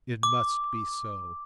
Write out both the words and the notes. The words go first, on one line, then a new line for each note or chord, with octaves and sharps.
It must be so.
D6